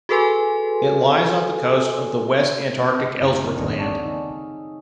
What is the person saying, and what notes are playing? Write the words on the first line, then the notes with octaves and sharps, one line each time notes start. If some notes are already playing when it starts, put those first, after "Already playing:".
It lies off the coast of the West Antarctic Ellsworth Land.
F#4 G#4 A4 B4 G#5 C6
C4
F6 G6
F#1 A3 E4 F#6
G1 D#2 A2 D#4 A#6
D5 E5 F#5 A5 A#5 C#6
G#3 A#3 D#4 F4